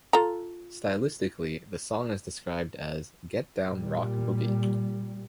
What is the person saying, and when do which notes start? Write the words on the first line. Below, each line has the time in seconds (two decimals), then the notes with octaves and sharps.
Stylistically, the song is described as "get-down rock boogie".
0.13 F4 A4 A#5
3.68 A#2 G3